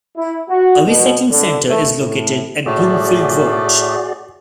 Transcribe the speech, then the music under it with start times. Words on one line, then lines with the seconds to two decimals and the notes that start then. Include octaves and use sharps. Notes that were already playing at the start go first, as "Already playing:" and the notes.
A recycling centre is located at Broomfield Road.
0.16 E4
0.48 F#4
0.86 B2
1.31 D3
1.68 A3
1.99 A2
2.66 A2 A3 F#4 G#4 D5